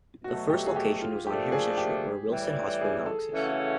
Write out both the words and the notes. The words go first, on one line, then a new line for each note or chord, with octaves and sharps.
The first location was on Harrison Street where Wilson Hospital now exists.
B2 F#3 A3 F#4
G4
G#4
G4
F4
A#2 F3 A3 D4 G4
G#4
G4
A2 E3 G3
G#4
A4
C#3 E3 A3 C#4 F#4